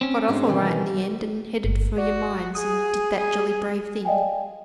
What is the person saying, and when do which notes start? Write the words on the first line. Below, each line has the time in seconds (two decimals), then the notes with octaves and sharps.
'Got off all right in the end, and headed for your mines and did that jolly brave thing.
0.01 C4 C#4
0.28 G#3 D4 F#4
0.47 B2 D#3 E3
1.64 G1
1.98 F#4 D5
2.55 G#4 D#6
3.17 G#4
4.05 D5 D#5 F5 G5 G#5